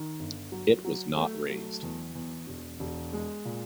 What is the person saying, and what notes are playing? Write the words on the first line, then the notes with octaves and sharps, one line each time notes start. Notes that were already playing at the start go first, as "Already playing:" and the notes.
It was not raised.
Already playing: D#3
G1
F#3
F#3
A3
F#3
E2
E2
E1
E1
G#3
A#2